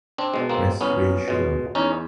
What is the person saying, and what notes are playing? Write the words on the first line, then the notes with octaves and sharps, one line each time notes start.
Rest reassured.
C4 D4
B2 G#3
A#3 C4
C2 B3 C#4
B2 G#3
E2 C#4 D#4